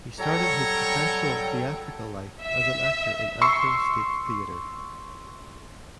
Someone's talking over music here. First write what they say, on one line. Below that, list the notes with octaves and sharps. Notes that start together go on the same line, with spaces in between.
He started his professional theatrical life as an actor in Ankara State Theatre.
F#3 G3 A4 C#5 G5 A#5
E5
C6 C#6 E6 C7 C#7